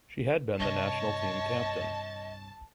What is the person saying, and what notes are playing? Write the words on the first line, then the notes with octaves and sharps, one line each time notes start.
She had been the national team captain.
G2 C3 C#5 D#5 A5